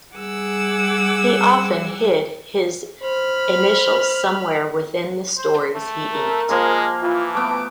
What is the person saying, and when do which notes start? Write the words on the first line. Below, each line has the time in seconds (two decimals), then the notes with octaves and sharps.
He often hid his initials somewhere within the stories he inked.
0.16 G3 G#4 F#5 D6 E6
3.03 C5 B5 F6
5.37 C5
5.73 A3
6.12 A#4
6.49 F3 G#3 A#3 F5
7.01 E3 F4
7.35 A3 B3 D6